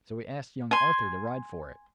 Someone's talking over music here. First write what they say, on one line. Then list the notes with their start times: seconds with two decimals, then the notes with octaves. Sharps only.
So he asked young Arthur to ride for it.
0.71 G#5 C6